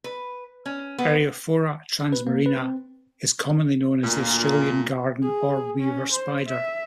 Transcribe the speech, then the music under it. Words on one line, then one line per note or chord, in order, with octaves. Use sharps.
"Eriophora transmarina" is commonly known as the "Australian garden orb weaver spider".
B4
C#4
B3
B4
A#3
B4
C4
D2 A#2
G#4
C#4
C5
E5